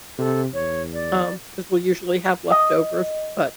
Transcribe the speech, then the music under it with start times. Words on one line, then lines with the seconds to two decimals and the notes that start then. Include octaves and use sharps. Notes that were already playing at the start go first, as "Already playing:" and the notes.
um, 'cause we'll usually have leftovers. But
0.18 C3 A4
0.54 E2 C#5
0.93 D5
2.51 D#5